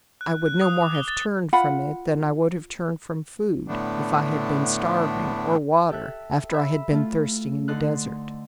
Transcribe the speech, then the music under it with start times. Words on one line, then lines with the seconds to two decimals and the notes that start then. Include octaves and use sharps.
I would no more have turned from it than I would have turned from food, if I had been starving; or water after I had been thirsting in the desert.
0.21 F#6
0.46 F#6
0.61 D#6
0.82 D6
0.95 G7
1.08 A6
1.53 F4 F#5 B5
3.68 A2 D3 A3 B3 D4
5.90 G4 A4 E5 F#6
6.50 E5 B5
6.91 A3 E4 F4
7.68 D3 D4 D#4 C6 F#6